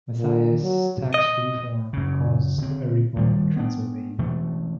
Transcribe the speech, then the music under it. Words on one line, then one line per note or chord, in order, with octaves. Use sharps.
Matthias's tax reform caused a revolt in Transylvania.
A#2
F#3
D#5
F#2 C#3
D3 C4
G2 D#3 G3
B3 D4
B2 E3 A3